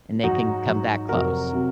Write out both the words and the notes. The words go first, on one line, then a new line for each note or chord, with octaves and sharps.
and they can come that close.
G#2 F#3 D#4 F#4
G#2 F#3
F2 C3 F#3 F#4 A#4
C3 F#3